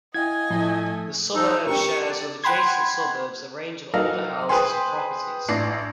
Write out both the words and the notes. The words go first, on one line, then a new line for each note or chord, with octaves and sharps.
The suburb shares with adjacent suburbs a range of older houses and properties.
E4 D#5 F5 G5 G#5 G#6
A2 F3 A3 E4
F3 D#4 A4
D4 G4 A#4 C#6
D5
F#5 G5 B5 C6 G#6
F#3 D#4 A4 A#4 F5
G#4 B4 C5 G5 G#5 C6
A1 D4 A#6 C7